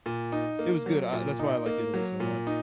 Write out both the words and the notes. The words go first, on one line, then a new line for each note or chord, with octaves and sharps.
it was good. I that's why I liked Italy so much,
A#2
D#4
A#3
F#3
A#2
D#4
A#3
F#3
A#2
D#4